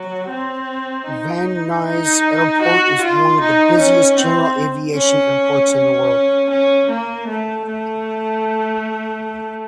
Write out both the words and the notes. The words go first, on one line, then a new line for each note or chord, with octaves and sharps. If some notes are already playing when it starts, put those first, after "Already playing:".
Van Nuys Airport is one of the busiest general aviation airports in the world.
Already playing: F#3
C4
D#4
D#4
F#4
F4
D#4
C#4
C4
C#4
C#4
C#4
A#3
A3
A3